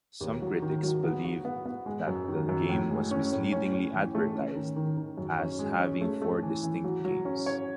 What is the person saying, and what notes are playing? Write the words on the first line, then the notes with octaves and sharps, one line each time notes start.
Some critics believed that the game was misleadingly advertised as having four distinct games.
D#2
F#3
D#3
F#3
B3
F#4
B3
B3
G#3
F#2
D#3
F#2
A2
G#3
C#4
A2
C#4
C#4
E3
A3
C#4
D#3
D#3
D#3
F#2
C#4
G#3
C#4
A3
A3
E3
E3
F#3
F#3
C#4
C#5